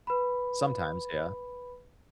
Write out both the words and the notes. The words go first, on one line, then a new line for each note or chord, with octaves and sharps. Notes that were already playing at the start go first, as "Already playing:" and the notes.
Sometimes, yeah.
B4 B5